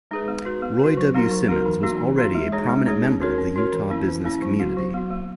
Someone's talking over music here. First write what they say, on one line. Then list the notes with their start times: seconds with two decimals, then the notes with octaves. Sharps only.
Roy W. Simmons was already a prominent member of the Utah business community.
0.11 G#3 D#4 G#4 B4
0.28 B3
0.45 F#4 B4
0.62 B3
0.80 F#4 B4
0.97 F#3
1.15 B3 D#4 F#4 A#4
1.31 F#3
1.48 B3 D#4 F#4 A#4
1.66 E3
1.83 A#3 D#4 F#4
2.01 E3
2.18 A#3 D#4 F#4
2.35 G#3
2.52 D#4 G#4 C#5
2.69 G#3
2.86 D#4 G#4 C#5
3.03 C#4
3.21 F#4 A#4 C#5
3.38 C#4
3.56 F#4 A#4 C#5
3.73 E3
3.90 A#3 C#4 E4
4.07 E3
4.25 A#3 C#4 E4
4.42 F#3
4.60 B3 F#4
4.77 F#3
4.94 B3 F#4
5.10 A#3